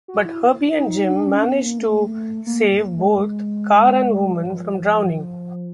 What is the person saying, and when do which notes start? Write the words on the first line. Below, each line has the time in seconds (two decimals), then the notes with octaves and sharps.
But Herbie and Jim manage to save both car and woman from drowning.
0.08 F#4
0.25 E4
0.76 D#4
1.10 D4
1.27 C#4
1.44 B3
1.62 A#3
1.78 A3
2.46 A#3
2.98 G#3
4.20 G#3
4.32 G3
4.42 F#3
4.52 F3